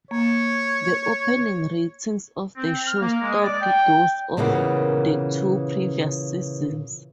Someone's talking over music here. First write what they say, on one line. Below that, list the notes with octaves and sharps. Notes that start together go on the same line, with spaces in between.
The opening ratings of the show topped those of the two previous seasons.
A#3 C#5
C4
F6
A#3
G#3
D5
G5
A#2 C#3 E3 A#3 B3